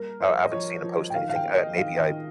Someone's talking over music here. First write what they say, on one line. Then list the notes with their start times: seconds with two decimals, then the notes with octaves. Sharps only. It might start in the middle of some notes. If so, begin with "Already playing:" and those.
uh, I haven't seen him post anything, uh, maybe I
Already playing: G3 A#3 A#4
0.20 F3 C5
0.45 D#5
0.52 F3 C#5
0.84 F3
1.10 G5
1.15 D#3 F5
1.29 F5
1.35 G5
1.46 A#3
1.56 D#5
1.77 D#3 F5
1.98 D#5
2.08 D#3